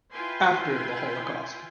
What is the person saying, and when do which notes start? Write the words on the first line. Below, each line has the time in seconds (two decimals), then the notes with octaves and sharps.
After the holocaust.
0.11 E4 F4 B4 G5 G#5 C6